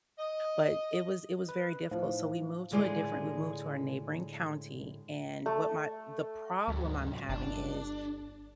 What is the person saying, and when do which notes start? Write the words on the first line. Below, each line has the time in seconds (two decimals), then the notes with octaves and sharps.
But it was it was very difficult. So, we moved to a different we moved to our neighboring county, and what my the problem I'm having is
0.19 D#5
1.49 B4
1.91 A2 F3 D#4 C5 F5
2.71 A2 D3 G#3 F4 D5
5.46 A3
6.68 D2 G#2 F#3
7.29 G1 D4